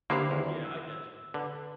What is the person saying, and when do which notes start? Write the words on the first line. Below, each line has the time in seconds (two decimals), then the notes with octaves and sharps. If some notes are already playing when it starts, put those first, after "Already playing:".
Yeah, I get you.
0.10 D3 A#3 C4 D4 E4 G4 F5 C7
0.31 E2 D#3
0.65 E6
1.34 D3 B4